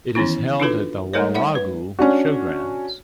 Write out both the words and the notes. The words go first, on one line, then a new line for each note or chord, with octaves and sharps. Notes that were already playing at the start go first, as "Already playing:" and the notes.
It is held at the Warragul showgrounds.
D#3 E3 B3 C#4 E4
D4 D#4 F4 F#4 A4 B4
G3 A3 D#4 A4 A#4 C#5
D#4 D5 E5 F#5 B5
B4
C#4 D4 F#4